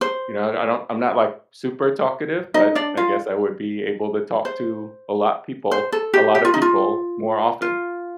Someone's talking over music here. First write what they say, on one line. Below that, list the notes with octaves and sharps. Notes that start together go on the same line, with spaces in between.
you know, I don I don't I'm not, like, super talkative, but I guess I would be able to talk to a lot people a lot of people more often.
C5
D#4 D#5
D4 D5
F4 F5
C5
C5
A4
G4
G4
F4
D#4
F4
F4